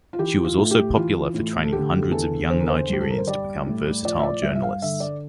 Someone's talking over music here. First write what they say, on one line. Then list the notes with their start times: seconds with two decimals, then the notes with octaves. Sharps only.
She was also popular for training hundreds of young Nigerians to become versatile journalists.
0.13 F4
0.19 E3 G4
0.45 F4
0.58 A2
0.71 G4
0.96 E3 F4
1.34 A2
1.64 A4
1.73 D3 G4
2.02 G4
2.11 E2 A4
2.50 D3 C5
2.60 A#4
2.69 C5
2.89 G2 G4
3.01 A4
3.10 A#4
3.18 C5
3.27 G3 D5
3.67 A2
4.04 F3 D5
4.19 E5
4.23 D5
4.43 G2 E5
4.55 E5
4.63 F5
4.82 D3 E5
5.00 D5